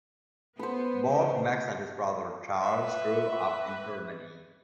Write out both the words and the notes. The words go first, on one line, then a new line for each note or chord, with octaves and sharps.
Both Max and his brother Charles grew up in Germany.
B3 B4 C5
C#3
B4 E5